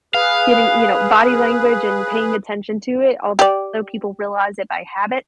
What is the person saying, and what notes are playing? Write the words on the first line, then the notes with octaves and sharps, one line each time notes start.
getting you know, body language and paying attention to it, although people realize it by habit,
G#4 B4 F5
G4 D5